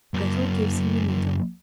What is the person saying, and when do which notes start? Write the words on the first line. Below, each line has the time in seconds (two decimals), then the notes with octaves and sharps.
Grettel gives him a needle.
0.14 F#2 A#3